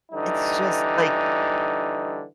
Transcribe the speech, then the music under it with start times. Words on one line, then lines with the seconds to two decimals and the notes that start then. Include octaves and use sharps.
It's just like
0.11 D3 E3 G3 D#4